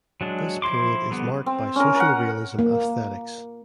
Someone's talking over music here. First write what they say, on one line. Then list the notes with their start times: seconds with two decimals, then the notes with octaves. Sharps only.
This period is marked by social realism aesthetics.
0.21 F#3 G#3 D4
0.62 F3 E4 C6 D6
1.11 D3 G3 B3
1.46 C4
1.76 C#4 A#4
1.96 A#4 F#5
2.59 A#3